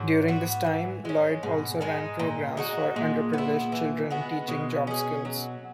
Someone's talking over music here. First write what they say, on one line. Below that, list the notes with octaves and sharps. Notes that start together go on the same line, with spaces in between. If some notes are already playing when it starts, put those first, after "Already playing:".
During this time, Lloyd also ran programs for underprivileged children teaching job skills.
Already playing: G#2 F#3
B3 F#4
E3
G#3 C#4
G#2 B2
G#3 D#4
A#2
G#3 D#4 F#4
A#2 G#3
B3 E4
E3
G#3 B3 F#4
B2 G#3
C#4 G#4
F#3